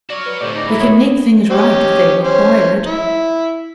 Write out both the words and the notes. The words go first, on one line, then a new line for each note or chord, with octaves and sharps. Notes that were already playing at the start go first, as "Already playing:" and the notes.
We can make things right if they require it.
F#4 C#5 D5 F6
B4
F2 A2 D3 G4 C#5 D5
G#2 D#4 A#5 D6
E4 B5
F#3 C#5 D#6
C#4 G4 D#5
C#4 C5
E4